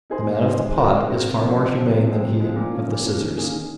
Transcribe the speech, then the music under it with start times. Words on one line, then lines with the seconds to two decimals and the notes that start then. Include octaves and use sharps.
The man of the pot is far more humane than he of the scissors.
0.10 D#4 G#4 C5
0.26 A#3
0.43 D#4 G#4 C5
0.59 G#3
0.76 C4 F#4 A#4
0.92 G#3
1.08 C4 F#4 A#4
1.25 C3
1.41 F3 C4
1.57 C3
1.74 F3 C4
1.90 C3
2.06 F3 G#3 C4
2.23 C3
2.39 F3 G#3 C4
2.56 A#2
2.72 F3 A#3 C#4
2.88 A#2
3.05 F3 A#3 C#4
3.21 D#3
3.38 A#3 C#4 G#4
3.54 D#3